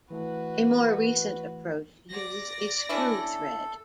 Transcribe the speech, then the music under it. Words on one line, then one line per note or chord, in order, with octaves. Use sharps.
A more recent approach uses a screw thread.
E3 A3 F#4 B4
D5 A#6
C#4 D4 E4 A4